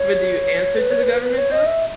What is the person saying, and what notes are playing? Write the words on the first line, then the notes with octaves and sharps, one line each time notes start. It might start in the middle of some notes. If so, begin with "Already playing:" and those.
But do you answer to the government though?
Already playing: C#5
B4
C#5
B4
B4
C#5
D#5
E5